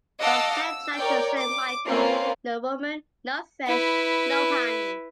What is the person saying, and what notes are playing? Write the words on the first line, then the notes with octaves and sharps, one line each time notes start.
From Saint John to Saint Michael, no woman, no fish, no honey.
D#5 F5 F#5 A5 D6 E6
E6
A#4 C#5 D5 G5
D6
A#3 C4 C#4 F4 B4
E4 B4